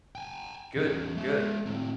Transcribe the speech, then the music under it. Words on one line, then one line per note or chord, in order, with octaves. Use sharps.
Good, good.
G5 G#5
E2 C#4
G#3 E5
A2 C4